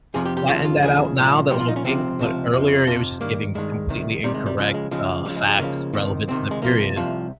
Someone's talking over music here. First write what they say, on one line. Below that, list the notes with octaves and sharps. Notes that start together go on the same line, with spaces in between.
flattened that out now, that little kink, but earlier it was just giving completely incorrect, uh, facts relevant to the period.
F2 C3 F3 G#4
G4
G4
D#2 C#3 F3 F4
F4
D#2 C#3 F3 G#4
C2 A#2 F3
C2 A#2 F3 G4
F4
D#4
C#4
C#2 C3 F3 C4
C#2 C3 F3
F2 C3 F3
F2 C3 F3
G2 D#3 A#3
G2 D#3 G#3
C2 C3 D#3
C2 C3 D#3 G3
G#3
G3
C#2 C#3 F3 G#3
G#3
C#2 C#3 F3 G#3
C#2 C#3 F3 G3
G#3
G#3
C#2 C#3 F3 A#3
C#2 C3 D#3
C#2 C3 D#3 C4
G#3
C2 C3 F3 A#3
C2 C3 F3